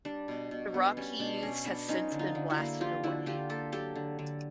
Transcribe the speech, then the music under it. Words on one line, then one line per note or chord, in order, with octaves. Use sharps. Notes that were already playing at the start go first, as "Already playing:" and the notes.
The rock he used has since been blasted away.
G3 D4
B2
B2
B3
G3 C#4
B2 D4
B2 C#4
B3 D4
F3 C#4 D#4
D3
D#4 F4
D3
E4 F#4
A#3
F3 F4 G4
D3 E4 F#4
D3 F4 G4
A#3 G4 A4
F#3 G4 A4
D3
D3